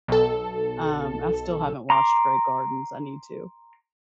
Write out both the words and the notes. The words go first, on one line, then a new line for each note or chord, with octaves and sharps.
Um, I still haven't watched Grey Gardens. I need to.
B1 A4
A#5 C6 D6